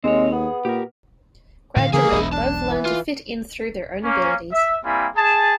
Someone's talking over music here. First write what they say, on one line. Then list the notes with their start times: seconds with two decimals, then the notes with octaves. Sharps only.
Gradually, both learn to fit in through their own abilities.
0.04 D#2 G#3 C4 C#5
0.32 B3 G#4
0.65 A#2 G4 A#4
1.76 B1 A2 D3 F5
1.93 C#3 E3 F3 A#3 G#4 B4 G#5
2.12 E1 B1 E4 D#5
2.32 D4 A5
2.69 E3
2.85 F4
4.04 A#3 C#4
4.52 E5
4.85 G3 A#3 C4 E4 G#5 B5
5.16 G#4 A5